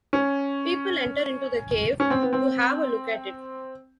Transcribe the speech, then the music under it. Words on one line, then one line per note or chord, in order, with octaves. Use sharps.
People enter into the cave to have a look at it.
C#4
C#4
C4
B3
C4